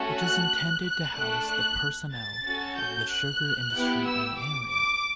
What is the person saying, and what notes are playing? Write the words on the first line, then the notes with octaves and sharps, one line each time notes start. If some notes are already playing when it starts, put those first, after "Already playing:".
It is intended to house the personnel of the sugar industry in the area.
Already playing: A3 C#4 F#4 A4
F#6
F#6
A3 D4 A4 F#6
F#6
A6
C#4 F#4 A4
G6
F#6
B3 E4 G4
E6
D6
D6